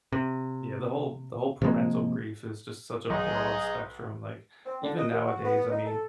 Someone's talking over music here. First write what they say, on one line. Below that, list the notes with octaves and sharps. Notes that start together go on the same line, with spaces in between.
Yeah, the whole the whole parental grief is just such a broad spectrum. Like, even nowadays, I mean,
C3
C3 F3 G#3 A#3
B1 D#4 G#4
C4
D3
D#5
D#2
F#4
B3
D#4
A4